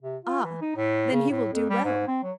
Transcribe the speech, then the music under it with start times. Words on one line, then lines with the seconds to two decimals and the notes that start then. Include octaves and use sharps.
"Ah! then he will do well."
0.02 C3
0.25 F4
0.44 E3
0.61 D#4
0.76 A2
1.12 C#3
1.30 A2
1.53 F2
1.70 G3
1.84 G#2
2.08 C4
2.23 F#3